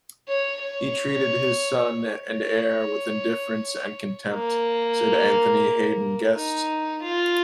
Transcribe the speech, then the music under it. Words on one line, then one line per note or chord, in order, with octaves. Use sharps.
"He treated his son and heir with indifference and contempt," said Anthony Haden-Guest.
C#5
C#5
C#5
A#3
D#4
F4